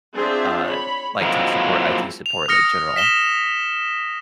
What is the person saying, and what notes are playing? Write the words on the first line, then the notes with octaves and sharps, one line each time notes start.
uh, like, tech support, IT support, like, general,
C4 D4 F4 G#4 C5 E5
C#5 B5
F3 F#3 G#3 A#3 C4 E4
F7
D#6 F6 A#6 C#7
B6 E7 G7